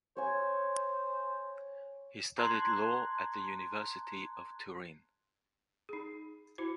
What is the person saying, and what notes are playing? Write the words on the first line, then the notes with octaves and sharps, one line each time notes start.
He studied law at the University of Turin.
C5 C#5 G#5
A5 A#5 C6 F#6 G#6
D#4 G#4
E4 F#4 C5